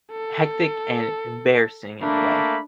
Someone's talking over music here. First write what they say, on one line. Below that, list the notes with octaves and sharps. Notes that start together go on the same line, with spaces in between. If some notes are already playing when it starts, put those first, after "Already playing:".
hectic and embarrassing in a way.
A4
A3 A#3 D4 B5